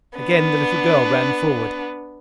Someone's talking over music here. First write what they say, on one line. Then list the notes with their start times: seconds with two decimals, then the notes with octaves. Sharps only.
Again the little girl ran forward.
0.19 B3 D4